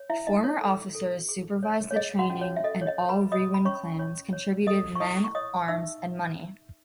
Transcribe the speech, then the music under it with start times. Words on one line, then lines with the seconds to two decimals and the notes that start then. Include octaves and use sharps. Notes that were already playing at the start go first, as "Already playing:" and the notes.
Former officers supervised the training and all Reewin clans contributed men, arms, and money.
Already playing: C#5
0.10 E4 E5
0.27 D#4 D#5
0.44 C#5
0.61 A4
0.95 A4
1.29 G#4
1.63 C#5
1.91 C#5
1.96 G#4 D#5
2.19 F#4 F#5
2.30 C#4
2.41 C#5
2.56 E5
2.64 A4 D#5
2.81 C#5
2.87 D#5
2.98 C#5
3.09 B4 B5
3.32 C#5 D#5 D#6
3.54 B5
3.65 C#4 C#5 C#6
3.99 C#5
4.33 C#5
4.67 A4 D#5 D#6
4.95 C#6
5.00 E4 D#5 D#6
5.24 C#6
5.35 C#5 D#5 D#6
5.68 D#4 E5 E6